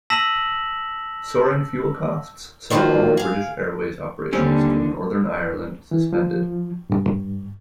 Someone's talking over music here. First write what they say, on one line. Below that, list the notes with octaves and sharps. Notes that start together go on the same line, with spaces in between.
Soaring fuel costs saw all British Airways operations to Northern Ireland suspended.
A5 E6 A#6 B6 E7 F#7
D#3 F3 G3 A#3 F4 F#4
G#4 F5
D#2 D3 G3 C4 C#4
E3
F3
G2